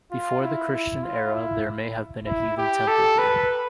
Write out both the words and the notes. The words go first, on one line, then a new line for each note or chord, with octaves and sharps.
Before the Christian era there may have been a heathen temple here.
F4
E4
E4
F4
E4
E4
G4
A4
B4